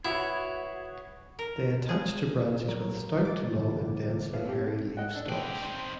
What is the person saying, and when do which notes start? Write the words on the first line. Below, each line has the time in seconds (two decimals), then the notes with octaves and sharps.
They attach to branches with stout to long and densely hairy leaf stalks.
0.05 E4 F#4 G#4 B4 C#5
1.39 A#4
1.89 G#4
2.69 F#3 A#4
3.25 D6 A6
3.54 D2 G2 E3
4.33 B2 B4 C#5 E5 F5
4.46 C4 G4 A4 F5
4.97 D#5 F#5 G5
5.12 D4 A4
5.29 G#3 D5 G5
5.62 D#3 C4